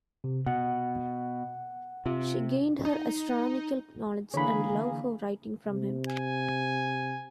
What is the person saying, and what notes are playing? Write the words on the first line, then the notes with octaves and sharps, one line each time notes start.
She gained her astronomical knowledge and love for writing from him.
C3
B2 F#5
C3 F4
D#4
D3 E3 A#3 D4 G#4 C#5 B5
C3
G#5